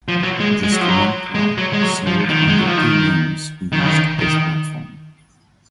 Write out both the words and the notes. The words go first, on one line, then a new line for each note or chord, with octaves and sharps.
Just one car, sold under two names, used this platform.
F3
F#3
G#3
G#3
F#3
F3
F#3
G#3
F#3
G#3
F#3
F3
D#3
G#3
F#3
F3
D#3
D#3
C#3
D#3
D#3